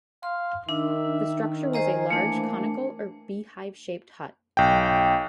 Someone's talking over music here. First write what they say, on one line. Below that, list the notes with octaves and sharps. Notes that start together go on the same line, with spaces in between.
The structure was a large conical or beehive-shaped hut.
F5 C6
D#3 D4 E5
C5 D#5 G#5 A#5
E3 A3 A#3 D4
B1 G5